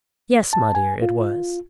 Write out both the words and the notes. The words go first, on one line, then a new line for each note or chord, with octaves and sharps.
'Yes, my dear, it was.'
A5
G#5
F4